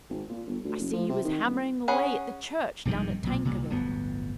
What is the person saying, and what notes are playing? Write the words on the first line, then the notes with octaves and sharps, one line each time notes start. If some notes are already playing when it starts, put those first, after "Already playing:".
"I see you was hammering away at the Church down at Tankerville."
G#1
A#2
G1
D2
F#1
F3
C3
D#3
D#1
C#4 G#4 F#5 B5
A#1 G2 C3 D#3
B1 A#2
C2 A#2
D1 G1 F2 B3